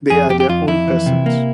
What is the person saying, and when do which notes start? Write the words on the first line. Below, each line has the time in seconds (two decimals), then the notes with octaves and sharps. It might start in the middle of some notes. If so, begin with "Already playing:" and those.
They are their own persons.
0.10 F2 G#4
0.29 F2 G4
0.40 G4
0.49 F2 F4
0.68 F2 E4
0.88 E3
1.06 C3
1.26 A#3